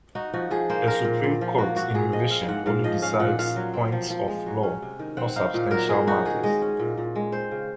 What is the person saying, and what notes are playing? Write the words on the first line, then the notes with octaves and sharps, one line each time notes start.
The Supreme Court in revision only decides points of law, not substantial matters.
D#4 F#4
F3 F#4
F3 G#4
A#3 C5
C4 A#4
A#2
A#2
F3
A#3 F#4
A#2 F#4
A#2 G#4
F3 D#5
C4 F5
G#2 F#5
G#2 F5
F3 D#5
C#4 F5
A#2 F#5
A#2 F5
F#3
C4
F3
F3
G#3
F#3
C#4
C3
D#3
C4 F#5
D#4 F5
A#2
F#3 A#4
C4 G#4
D#4 F#4
D#3 G#4
G#3 D#5
C#4
A#2
A#2
G#3
C4 C5
C#3